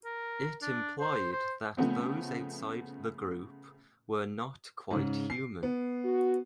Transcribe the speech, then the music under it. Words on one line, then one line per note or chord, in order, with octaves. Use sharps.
It implied that those outside the group were not quite human.
A#4
D4
C5
C5
C#3 F3 A3 B3 C4
G#2 C#3
C7
B3
F#4